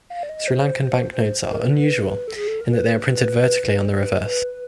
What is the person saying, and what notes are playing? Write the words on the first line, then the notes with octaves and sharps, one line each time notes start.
Sri Lankan banknotes are unusual in that they are printed vertically on the reverse.
F5
D5
D#5
C5
A#4
B4
A4
G#4
A4
A#4
B4
C5
B4